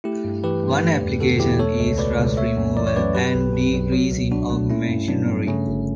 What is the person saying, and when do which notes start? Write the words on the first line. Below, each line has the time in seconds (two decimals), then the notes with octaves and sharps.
One application is rust removal and degreasing of machinery.
0.04 A3 E4 G4
0.25 G2
0.44 E3 G4 B4
0.63 G2
0.83 A3
1.02 E2
1.20 D3 F#4 A4
1.40 E2 E4 G4
1.59 A3 A4 C#5
1.79 C#2
1.98 B2 B4 D5
2.18 C#2
2.37 A3 C#5 E5
2.56 F#2
2.76 E3 D5
2.87 C#5
2.96 F#2 B4 D5
3.15 F#3 G4 B4
3.35 B1
3.53 B2
3.74 B1
3.92 F#3
4.12 C#2
4.31 B2 D4 F#4
4.50 A3
4.70 A3 C#4 E4
4.89 G2
5.08 F#3 B3 D4
5.28 G2
5.47 C#3 A3 C#4
5.67 G1